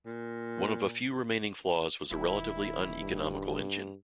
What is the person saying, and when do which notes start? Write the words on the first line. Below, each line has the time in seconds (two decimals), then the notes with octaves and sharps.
One of a few remaining flaws was a relatively uneconomical engine.
0.05 A#2
2.11 D#1 E4
3.02 G2